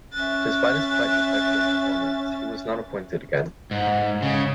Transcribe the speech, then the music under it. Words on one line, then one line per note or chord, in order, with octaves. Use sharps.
Despite his quite respectable performance, he was not appointed again.
C#4 E5 F#6 A6
G#2
C#3